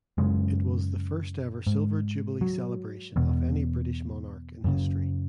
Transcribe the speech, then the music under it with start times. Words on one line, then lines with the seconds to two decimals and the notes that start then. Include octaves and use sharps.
It was the first ever Silver Jubilee celebration of any British monarch in history.
0.18 F#2 C#3 G#3
1.67 G#2
2.41 F#3
3.16 E2 B2
4.64 F#2 C#3